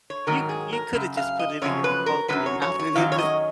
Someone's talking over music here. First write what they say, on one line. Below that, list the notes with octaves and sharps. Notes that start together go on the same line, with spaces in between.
you c you coulda just put it in your both in your mouth and it was
C#5
G#2 D#3 F#3 A#4
G#4
A#4
F#2 C#3
F5
D#5
F#2 C#3 F3 C#5
B4
A#4
F#2 D#3 F#3 B4
C#5
C#5
C#5
F#2 D#3 F#3 F5
C#5
D#5